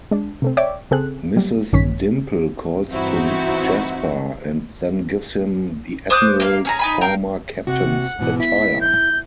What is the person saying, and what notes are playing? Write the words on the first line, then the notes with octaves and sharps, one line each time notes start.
Mrs. Dimple calls to Jasper and then gives him the Admiral's former Captain's attire.
G#3 D4
C3 A3 C4
C#5 D5 E5 G5 D6
C#3 C4 G#4 A4 F#6
F#3 G3
A#1 G2 D#3 C#4 C#5 B6
G2 E3 C4 D#4 E4 F#4
C5 D6 D#6 F#6
A#3 F5
C#4 G#4 A#5
D#4 G#5 B5
A#4 F5 G5
C3 F#4 F#5
G#2 B2 E3
E4 B6
G6